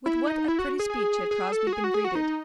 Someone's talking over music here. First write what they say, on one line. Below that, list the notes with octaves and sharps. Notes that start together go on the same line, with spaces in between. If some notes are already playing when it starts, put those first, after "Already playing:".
With what a pretty speech had Crosbie been greeted!
E4
D#4
E4
F#4
G#4
G#4
G#4
A4
F#4
G#4
F#4
G#4
F#4
D#4